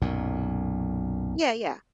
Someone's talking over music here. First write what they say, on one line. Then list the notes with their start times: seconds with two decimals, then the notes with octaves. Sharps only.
Yeah, yeah.
0.02 B1 F#2 A#2